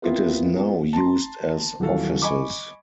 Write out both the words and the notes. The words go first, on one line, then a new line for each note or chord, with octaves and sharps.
It is now used as offices.
B3 C4 E4 F4 A#4 B4
A5 A#5 C6
D#1 E3 F#3 A4 F5
D#5 G#5 B5 C#6 D6